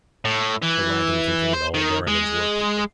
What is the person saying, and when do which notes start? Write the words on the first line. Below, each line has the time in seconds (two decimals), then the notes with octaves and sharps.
The waggon contained all Derriman's workpeople.
0.25 A2
0.62 E3
1.53 C5
1.74 D#3
2.08 G#3